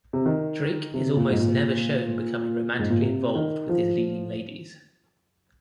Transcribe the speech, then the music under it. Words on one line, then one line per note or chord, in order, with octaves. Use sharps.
Drake is almost never shown becoming romantically involved with his leading ladies.
C3
D#3
C3
A#2
G#2
A#2
G#2
A#2
C3
D#3
F3